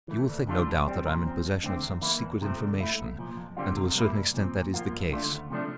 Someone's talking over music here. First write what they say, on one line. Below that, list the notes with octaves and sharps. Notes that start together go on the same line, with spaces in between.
You will think, no doubt, that I am in possession of some secret information, and to a certain extent that is the case.
E3 A3
D2
D3 G3 D4 F4
A2
G3 C4
A#2
F3 C4
F2
D3 A3 C4
E2
E3 A#3 E4
E2
C3 F3 A3 C4
D3
A3 E4
C2
A#2 F3
F2
D3 G3 C4 F4
C3
G3 A#3 E4
C2
A#2 F3 C4
A#2
F3 A#3 F4
G2
D3 A3 D4 F4
D2
C3 F3 A3 D4